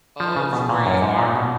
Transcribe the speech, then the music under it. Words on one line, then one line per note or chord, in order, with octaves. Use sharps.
Oh, from where you are?
F3
C#3
B2
A#2
F#2
G#2
A#2
B2